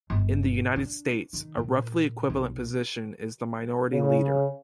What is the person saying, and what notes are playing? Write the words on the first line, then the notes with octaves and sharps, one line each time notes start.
In the United States, a roughly equivalent position is the minority leader.
G1
D4
D#3
A#2
B1
C#3